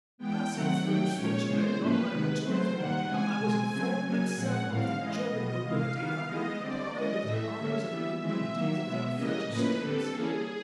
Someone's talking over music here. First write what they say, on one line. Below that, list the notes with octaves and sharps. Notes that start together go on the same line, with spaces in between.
Passing through Switzerland on my return from India, I was informed that several of the German nobility had been deprived of the honours and immunities of their French estates.
E3 G#3 B3 G5
C3 D#3 F#3 A3 C4 F#5
D#3 F#3 A3 G5
A#2 F3 G#3 C#4 C#5
C#3 E3 G#3 B3 C5
A2 F3 A#3 C#4 B4
C3 D#3 G#3 B3
C#3 F#3 A3 C4 C5
D#3 G3 A#3 F#5
C#3 E3 G#3 C4 G#5
B2 G#3 C4
C#3 F#3 A3 C4
C#3 F#3 A#3 C#4 G#5
A#2 F3 G#3 C4 F#5
A2 E3 G3 C4 F5
E3 G#3 C#4 D#5
B2 G3 B3 D#5
C3 E3 G#3 F5
D#3 G3 B3 F5
E3 G#3 B3 D#5
D3 G3 C4 D5
E3 G#3 C#4 D#5
A2 E3 A3 E5
D3 G3 A#3 C#4
E3 G3 B3
E3 G#3 C4 E5
D#3 F#3 A#3
B2 G#3 B3
C#3 E3 G3 A#3 C#4 D#5
A2 F3 A#3 C#4 B4
D3 G3 C4 A4
E3 G3 A#3 C#4 G#4